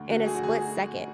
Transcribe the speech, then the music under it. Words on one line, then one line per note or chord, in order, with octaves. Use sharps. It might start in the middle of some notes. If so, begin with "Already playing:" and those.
in a split second.
Already playing: D2
D3 F#4
A3 G#4
F#4
D2 G#4